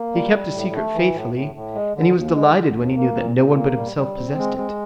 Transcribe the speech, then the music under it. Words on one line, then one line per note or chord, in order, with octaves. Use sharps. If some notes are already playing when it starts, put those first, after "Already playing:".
He kept a secret faithfully, and he was delighted when he knew that no one but himself possessed it.
Already playing: A#3
G3
G3
A2
A3
E3
A2
A2
A2
G#3
D3
D#2
G#3
D3
D#2
A#3
A#2
A#2
A#3
G3
G3
C4
G#3
G#3